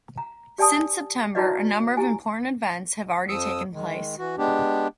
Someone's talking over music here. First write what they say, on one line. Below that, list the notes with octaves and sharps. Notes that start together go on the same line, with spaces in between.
Since September, a number of important events have already taken place.
A#5
G4 D5 G#5 A5 D#6
D#4 E4 F#4 B4 D5 D#5
E4 G4 G#5
F2 F3 D#6 E6
D#3 G#3
E3 F#4
G#3 B3 D4 G4